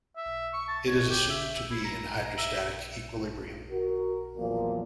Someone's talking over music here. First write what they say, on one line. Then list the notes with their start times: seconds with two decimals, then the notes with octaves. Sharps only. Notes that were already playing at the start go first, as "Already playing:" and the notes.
It is assumed to be in hydrostatic equilibrium.
0.16 E5
0.53 C#6
0.68 A5
0.88 C#5
1.10 G4
1.30 E5
1.71 E4
1.85 A#5
2.38 E5
3.70 F#4 A#4
4.37 E2 A#2 F3 F#3 A#3